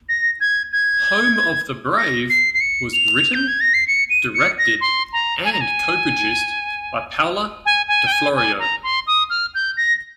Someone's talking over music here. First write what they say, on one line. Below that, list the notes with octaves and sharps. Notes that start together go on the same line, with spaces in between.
"Home of the Brave" was written, directed, and co-produced by Paola di Florio.
A#6
G#6
G#6
A#6
C7
C7
C#7
F7
G6
G#6
A#6
C7
C#7
D#7
C#7
A#6
C6
A#5
G#5
A#5
G#5
G#5
G#5
G5
G#5
G#5
A#5
C6
D#6
F6
G6
A#6